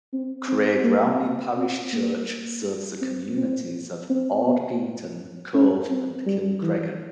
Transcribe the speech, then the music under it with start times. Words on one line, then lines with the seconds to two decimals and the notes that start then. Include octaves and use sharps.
Craigrownie Parish Church serves the communities of Ardpeaton, Cove and Kilcreggan.
0.13 C4
0.48 C4
0.84 A#3
1.57 C4
1.93 A#3
3.02 C4
3.37 C4
4.10 C4
4.46 B3
5.54 C#4
5.90 C4
6.26 G3
6.62 E3